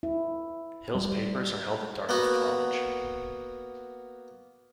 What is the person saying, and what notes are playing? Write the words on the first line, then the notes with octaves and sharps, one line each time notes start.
Hill's papers are held at Dartmouth College.
E4
G3
A#3 B3 F#4